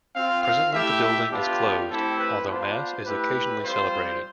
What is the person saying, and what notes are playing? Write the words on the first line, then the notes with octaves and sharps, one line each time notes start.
Presently the building is closed, although Mass is occasionally celebrated.
C4 F4 F5
F5
A3 E4 G4 E5
E5
B3 D4 F4 G4
A3 C4 E4 G4 A4
B4
B3 D4 F4 C5
A3 E4 G4 B4
G3 C4 F4 C5